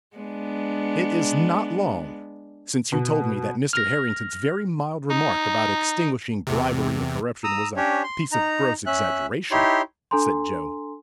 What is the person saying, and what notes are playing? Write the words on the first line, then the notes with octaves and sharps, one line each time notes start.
"It is not long since you told me that Mr. Harrington's very mild remark about extinguishing bribery and corruption was a piece of gross exaggeration," said Joe.
G#3 B3 D4
B2
F6 A#6
D#4
E2 C3
A#5 D#6 E6
C#4 D4 G4 C#5
C6
D#4 A#5
C#4 E5 F#6
D#4 E4 G4 C#5 C6
D4 A4 G#5 A#5 C6